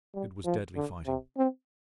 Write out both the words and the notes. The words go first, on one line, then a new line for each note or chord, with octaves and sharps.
It was deadly fighting.
G3
F3
D3
C3
C4